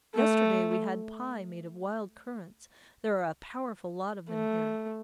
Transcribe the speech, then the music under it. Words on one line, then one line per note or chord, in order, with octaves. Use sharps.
Yesterday we had pie made of wild currants; there are a powerful lot of them here.
A3
A3